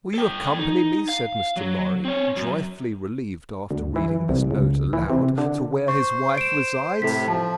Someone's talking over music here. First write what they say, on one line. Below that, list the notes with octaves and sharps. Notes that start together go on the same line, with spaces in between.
"Will you accompany me," said Mr. Lorry, joyfully relieved after reading this note aloud, "to where his wife resides?"
A4 G5
D#4
F5
F#3
C4 C#5
F#2
D2
E3
C2
C#2
E3
C3
D3
C5 C#6
D7 E7
A2 C3 A4 B6
F3 A5